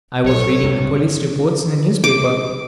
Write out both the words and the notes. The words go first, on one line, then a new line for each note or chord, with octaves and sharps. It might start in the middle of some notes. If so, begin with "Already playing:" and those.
I was reading the police reports in a newspaper.
B1 A4 C#5
C#2 G2 C3
D6